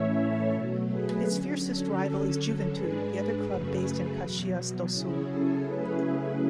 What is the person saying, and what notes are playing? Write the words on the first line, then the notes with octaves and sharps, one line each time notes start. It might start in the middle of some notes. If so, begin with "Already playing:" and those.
Its fiercest rival is Juventude, the other club based in Caxias do Sul.
Already playing: A2 E3 A3 C#4 E4 C#5 E5
A4 C#5
B2 F#3 A3
G#4 B4
D3 F#3 C#4
A4
D3 F#3 C#4 A4
G#2 G#3 D4 G#4 B4
F#2 C#3 F#3 A3 G#4 B4
E2 B2 F#3
C#3 F#3 C#4 E4 G#4
A4
C#3 F#3 A3 C#4 E4 G#4 B4